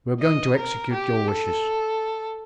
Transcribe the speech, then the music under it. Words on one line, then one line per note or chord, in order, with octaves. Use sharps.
"We are going to execute your wishes."
D#5
A#4
G4
A4